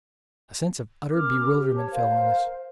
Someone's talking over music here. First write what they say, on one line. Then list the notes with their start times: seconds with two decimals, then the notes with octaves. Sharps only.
A sense of utter bewilderment fell on us.
1.10 C#4 A#4 D6 F6
1.53 G4
1.75 C#5 A5
1.91 A#4 C5 F5